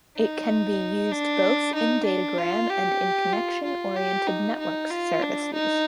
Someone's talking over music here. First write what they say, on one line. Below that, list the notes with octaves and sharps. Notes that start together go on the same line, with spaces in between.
It can be used both in datagram and in connection-oriented network services.
D#4
D4
D#4
D4
F4
G4
F4
F4
G4
D#4
D#4
F4
D4
D#4